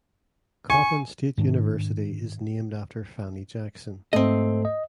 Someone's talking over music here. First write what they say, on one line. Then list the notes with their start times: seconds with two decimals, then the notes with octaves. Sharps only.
Coppin State University is named after Fannie Jackson.
0.70 G#5 C#6
1.38 G#2 D#3 D4
4.13 G#2 A3 C4 A4 D#5
4.65 D#5